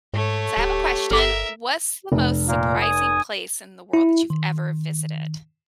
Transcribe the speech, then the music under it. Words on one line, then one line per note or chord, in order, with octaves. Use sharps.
So, I have a question. What's the most surprising place in the world that you've ever visited?
G#2 A3 C#5
D1 G4
G1 A4 A#4 E5 D6
F1
A#2 A#3
G#5 D#6
E4
D#3